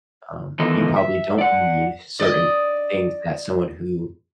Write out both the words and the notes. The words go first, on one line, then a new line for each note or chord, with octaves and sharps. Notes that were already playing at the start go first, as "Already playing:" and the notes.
um, you probably don't need certain things that someone who
D#3 E3 B3 F4 A4 D#5
E5
D5 F#5
D5 D#5